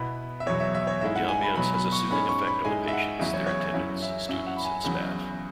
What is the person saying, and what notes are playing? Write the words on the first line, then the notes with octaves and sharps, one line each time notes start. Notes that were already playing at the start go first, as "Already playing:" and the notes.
The ambience has a soothing effect on the patients, their attendants, students and staff.
Already playing: B2 B3 E4 B5
E5
E2 B2 F#3 C#5
E5
E5
C#5
G#2 G#3 E4 E5
F#5
G#5
B5
B2 F#3 B3 B5
B5
C#6
G#2 G#3 C#4 B5
C#6
B5
G#2 G#3 E4 G#5
E5
F#5
E2 C#3 F#3 C#4 E4 E5
C#5
C#5
E5
F#2 F#3 C#4 E4
E5
F#2 F#3 C#4 E4 E5
F#5
B5
G#5
E2 C#3 F#3 B5